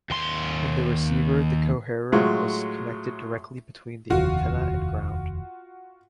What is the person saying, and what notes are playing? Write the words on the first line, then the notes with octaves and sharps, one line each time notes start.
In the receiver the coherer was connected directly between the antenna and ground.
D#2 C6
A2 F#3 G#3 F4
F1 D#2 F4 F#4